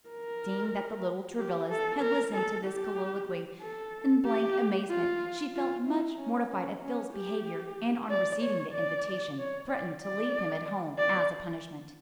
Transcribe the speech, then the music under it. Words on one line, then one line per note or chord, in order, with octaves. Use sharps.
Seeing that the little Travillas had listened to this colloquy in blank amazement, she felt much mortified at Phil's behavior, and on receiving the invitation threatened to leave him at home as a punishment.
A#4
G4
A4
A#4
A4
G4
A4
G4
F4
F4
E4
C#4
C#4
C#4
G4
D5
C#5
D5
C#5
D5
D5
D5